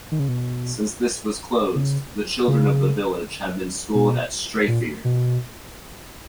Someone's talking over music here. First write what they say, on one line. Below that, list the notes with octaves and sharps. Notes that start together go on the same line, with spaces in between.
Since this was closed, the children of the village have been schooled at Strathyre.
D#3
C#3
B2
C#3
C#3
B2
A#2
B2